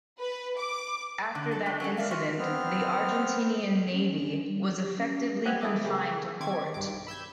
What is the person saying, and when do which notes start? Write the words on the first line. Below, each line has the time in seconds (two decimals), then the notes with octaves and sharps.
After that incident, the Argentinian Navy was effectively confined to port.
0.20 B4
0.58 D6
1.35 D3
1.51 F#3 A4
1.66 G#3 A3 D4
1.80 F#3 C#4 A4
1.97 A#4 D5 E5 F5
2.11 F4 F#4 A#4
2.39 B3 C4 F6
3.92 C#4
4.47 G3
4.80 G4
4.97 C#4
5.45 E3 B3 C4 G4 B4 G#5
5.61 E4 G#4 A4 D#5 E5 D6
5.84 C#3 G4 G#4 A#4
6.40 D#3 C4 C#6 D6 G#6
6.74 B1 G2 D6
7.07 B5 E6 G6 G#6